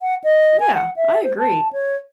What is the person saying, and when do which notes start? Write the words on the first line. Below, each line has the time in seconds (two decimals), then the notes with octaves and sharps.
Yeah, I agree.
0.01 F#5
0.24 D#5
0.60 G#5
0.75 F#5
0.96 E5
1.24 C5
1.38 A5
1.73 C#5